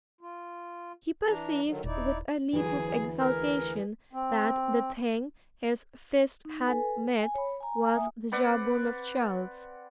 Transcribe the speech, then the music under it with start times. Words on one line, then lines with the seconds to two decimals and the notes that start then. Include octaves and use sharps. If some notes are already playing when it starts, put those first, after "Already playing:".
He perceived with a leap of exultation that the thing his fist had met was the jawbone of Charles.
0.21 F4
1.26 E3 D4 A#5
1.65 D3 D#3 F#3
1.84 D#1 D#4 E4 D5
2.53 D2 E3 F#3 G#4
3.20 G#4 A#4 B4
4.13 C4
6.45 D#4
6.67 A4 B4 G#5
7.19 G#5
7.35 C#5 B5
7.60 G#5 A#5
7.96 A#3 E5 G#5 D#6
8.32 C4 B4 D5 F#5